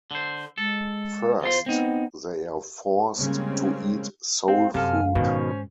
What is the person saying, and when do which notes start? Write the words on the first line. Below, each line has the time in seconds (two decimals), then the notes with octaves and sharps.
First they are forced to eat soul food.
0.11 D3 C5
0.58 G#3 A4
1.41 E2 F4 C5 C6
1.66 B3 C4 D#4
3.16 C#3 G3 G#3 A#3 C4 C#4
4.48 C4 F5
4.74 F#2 C3 A4 F5 G#5 F6
5.15 G#2 B2 D#3 C#4 C5